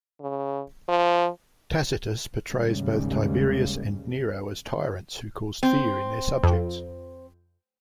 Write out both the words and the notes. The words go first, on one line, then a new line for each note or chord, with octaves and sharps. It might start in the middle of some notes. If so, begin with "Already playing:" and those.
Tacitus portrays both Tiberius and Nero as tyrants who caused fear in their subjects.
C#3
F3
D#2 G#2 C#3 G3
C4
F2